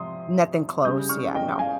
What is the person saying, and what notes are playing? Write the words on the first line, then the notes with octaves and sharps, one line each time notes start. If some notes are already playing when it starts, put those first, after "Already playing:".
Nothing close. Yeah, no.
Already playing: C3 F3 C6 D#6
C#3 G3 D#6 G6
C#6 F6
D#5 G5
F5 G#5